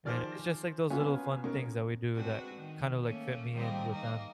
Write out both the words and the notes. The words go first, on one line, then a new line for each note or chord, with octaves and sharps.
and it's just like those little fun things that we do that kinda like fit me in with them.
D#3 F3 G#4 C5 D5 F6
A#3 B3 C#4 F4 F5 G#5
B2 B3 C#4 A#4
G#3 C4 D4 F#4 B4
D#3
A3 A#3 C#4
D#3 F3 G3 G#3 A#3 C4
A#3 D#4